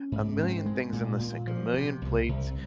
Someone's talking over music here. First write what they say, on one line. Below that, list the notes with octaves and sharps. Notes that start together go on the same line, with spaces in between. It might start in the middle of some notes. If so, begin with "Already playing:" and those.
a million things in the sink a million plates,
Already playing: C#4
G#2
C4
G#3
A#2
A#2
F3
C3
C2
C2